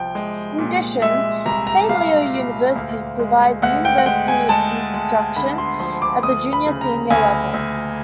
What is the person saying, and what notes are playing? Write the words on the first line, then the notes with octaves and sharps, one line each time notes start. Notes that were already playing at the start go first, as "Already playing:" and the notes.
In addition, Saint Leo University provides university instruction at the junior-senior level.
Already playing: C2 F3 G5
G#3
A#2
G#3 E5
C2 A#5
A#5
C2 F5
A#2
D2
G#3
D2 F#5
G5
F#5
G#3 G5
G#5
G#3 A5
G#3
D3 B5
C6
F3 C6
D6
D2 D#6
B5
C#3
A#5
D2 G#5
D2